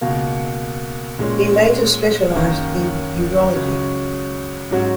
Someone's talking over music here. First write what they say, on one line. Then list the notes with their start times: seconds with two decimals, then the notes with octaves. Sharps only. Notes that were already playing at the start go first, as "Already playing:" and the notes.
He later specialised in urology.
0.01 C#2 B2 A#3
1.19 A#2 G#3 C#4
2.35 F#2 D#3 A#3 C#4
3.53 C#2 C#3 F#3 C#4
4.71 G#2 F#3 C#4 F#4